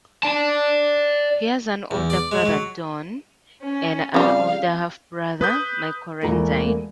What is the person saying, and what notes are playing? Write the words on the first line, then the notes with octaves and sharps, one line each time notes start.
He has an older brother, Don, and an older half-brother, Michael Rendine.
D5 A5
E2
D5
G#3
F#3
C#4
C#3 G3 C4 F4 F5 A#5
B4 D#6 G6
E1 E3 A3 A#3 A#5